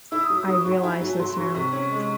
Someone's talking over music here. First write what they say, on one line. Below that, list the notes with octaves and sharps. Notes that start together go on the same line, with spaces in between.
I realize this now.
E4 E6
D#6
F#3
E6
F#3 D#6
C#6
F#3
F#5
E4 G#5
F#3
A5
F#3 C6
C6
F#3 C#6
C3 C#6
C#4
G#3